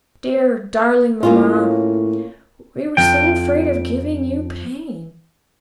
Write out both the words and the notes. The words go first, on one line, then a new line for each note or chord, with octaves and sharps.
'Dear, darling mamma! we were so afraid of giving you pain.
A2 A#3 C#4 F4
F2 F3 G5